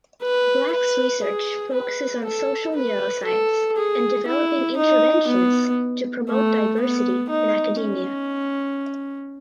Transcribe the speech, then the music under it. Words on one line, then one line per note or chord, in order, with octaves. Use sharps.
Black’s research focuses on social neuroscience and developing interventions to promote diversity in academia.
B4
B4
G#4
B4
A4
B4
A4
G#4
E4
D#4
B3
A3
B3
D#4
C#4